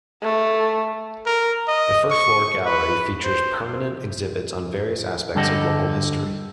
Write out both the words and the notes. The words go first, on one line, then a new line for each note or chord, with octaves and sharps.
The first floor gallery features permanent exhibits on various aspects of local history.
A3
A#4
D#5
C#6
B4
C5
G2 D3 G4 A4 D#5 F#5